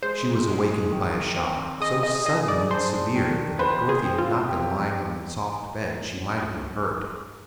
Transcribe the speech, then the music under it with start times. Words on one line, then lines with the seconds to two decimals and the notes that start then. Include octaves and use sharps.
She was awakened by a shock, so sudden and severe that if Dorothy had not been lying on the soft bed she might have been hurt.
0.03 G#3 C5
0.47 G#3
0.92 D#3
1.37 C4
1.80 G#4 D#5
2.03 D#5
2.25 G#4 D#5
2.48 D5
2.70 D4 C5
3.15 D#3
3.59 B4 C5
3.89 G#4
4.04 C4
4.18 F4
4.49 G4